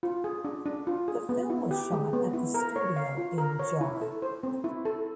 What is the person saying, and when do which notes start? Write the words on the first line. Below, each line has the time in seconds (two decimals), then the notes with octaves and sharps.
The film was shot at the studio in Jar.
0.03 F4
0.24 G#4
0.45 D4
0.65 D4
0.87 F4
1.08 G#4
1.29 B3
1.50 E4
1.71 G4
1.92 G#3
2.13 B3
2.33 E4
2.54 A#4
2.76 C#5
2.96 F5
3.18 F4
3.38 A#4
3.59 C#5
3.81 E4
4.01 A4
4.22 C5
4.43 C4
4.64 E4
4.85 A4